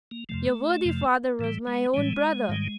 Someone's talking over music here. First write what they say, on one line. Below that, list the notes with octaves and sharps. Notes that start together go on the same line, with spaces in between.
Your worthy father was my own brother.
A#3
F2 C3 F3 A3
F2 C3 F3
A2 E3 G3
G#3
A2 E3 G3 G#3
G#2 D#3 G3